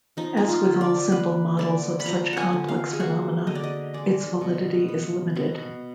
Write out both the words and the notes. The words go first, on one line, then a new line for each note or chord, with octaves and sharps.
As with all simple models of such complex phenomena, its validity is limited.
F3 D#4
D#4
F4
D3
D5
A#3 B4
D3 D5
B5
F3 A#5
F#5 G#5
D3
F5
G#4
A#3 F#4
D3 D#5
D5
D#5
G#3 D5
B2
B3
B2